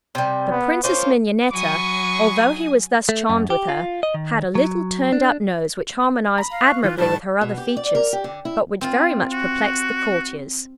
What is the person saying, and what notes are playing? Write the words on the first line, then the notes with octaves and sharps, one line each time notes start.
The Princess Mignonetta, although he was thus charmed with her, had a little turned-up nose which harmonized admirably with her other features, but which very much perplexed the courtiers.
C3 G3
B3
A#3 C#4 F4 C5
F#3 G#5 B5 C#6 D#6
A3
F#2
G4
F4
D#5
D#3
F#3
D4
A#5 B5
F5
C#6 F#6
E3 F4
A2 D#3 G3 A5
B2
G4
D5
A#4
G4
D3
E4
C4 F4
F#4